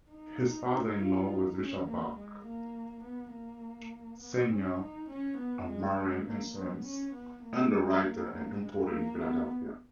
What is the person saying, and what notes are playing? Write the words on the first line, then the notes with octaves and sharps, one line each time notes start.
His father-in-law was Richard Bache, Senior a marine insurance underwriter and importer in Philadelphia.
D#4
F4
D#4
C#4
A#3
G#3
A#3
B3
A#3
B3
C#4
D#4
C#4
B3
G#3
G#3
A#3
B3
C#4
B3
A#3
G#3
A#3
A#3
G#3
A#3
B3